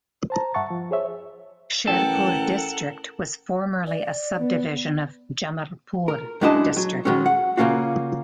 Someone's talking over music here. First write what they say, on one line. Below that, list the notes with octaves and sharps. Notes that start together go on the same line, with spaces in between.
Sherpur district was formerly a sub-division of Jamalpur district.
C5 A5 A#5
G2 E5 F#5 A5 C#6 A6
F3
G#4 C5 C#5 E5
A1 A4 A#4 F#5 G5
D5
B3
A#4
F#2 G#3 D4 E4 D#5 A5
F#3
D#3 F#3 G#3 C#4
F#5
C#3 A#3 C#4 F4 F#4